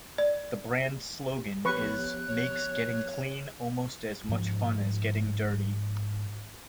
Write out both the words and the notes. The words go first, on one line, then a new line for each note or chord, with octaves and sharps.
The brand's slogan is "Makes Getting Clean Almost as Much Fun as Getting Dirty!".
D5
F3 B3 G4 B4 C#5 C#6 F#6
C#5
G#2 F3